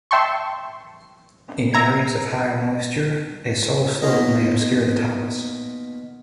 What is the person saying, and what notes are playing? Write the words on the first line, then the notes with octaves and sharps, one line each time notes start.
In areas of higher moisture, a soil slope may obscure the talus.
E5 G5 A5 C6 C#6
E5 A#5 G#6
B2 A#3 D#4 F4 G#4 D#5